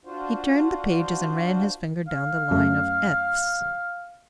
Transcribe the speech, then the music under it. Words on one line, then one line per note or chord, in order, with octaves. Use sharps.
He turned the pages and ran his finger down the line of "Fs."
D4 F4 F#4 C5
F5
F#2 A3